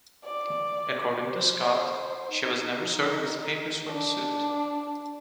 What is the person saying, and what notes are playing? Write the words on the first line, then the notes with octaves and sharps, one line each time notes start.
According to Scott, she was never served with papers for the suit.
D5
C5
D#4
D4